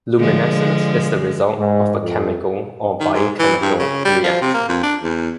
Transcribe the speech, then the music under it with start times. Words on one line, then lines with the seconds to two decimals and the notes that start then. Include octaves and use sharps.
Luminescence is the result of a chemical or biochemical reaction.
0.19 D3 F3 G#3
1.58 G#2
2.01 F2
3.00 D#3
3.14 G#2
3.39 E3
3.61 G2
3.79 C#3
4.05 G3
4.24 F3
4.42 C3
4.54 A#3
4.69 F2
4.83 D4
5.03 E2